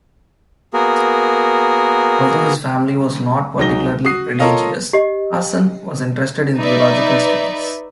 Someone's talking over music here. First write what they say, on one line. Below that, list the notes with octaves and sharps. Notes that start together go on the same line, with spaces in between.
Although his family was not particularly religious, Hassan was interested in theological studies.
A#3 B3 F#4 G#4 A#4
C#2 F#3 D#4 A#6 G7
F#4 D#6 C7
F4 A4 A#4 C#5 D#5 F5
G4 D#5
D#4 B4 D5 E5